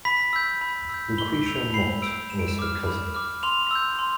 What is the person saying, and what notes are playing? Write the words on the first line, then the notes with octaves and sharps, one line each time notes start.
Lucretia Mott was her cousin.
B5 B6
E6 G6
B5
E6 G6
B5 G7
E6 G6 F7
B5 C7
E6 G6 D7
B5 E7
D7
E7
D6 F6
B5
D6 F6
C6 F7
E6 G6
C6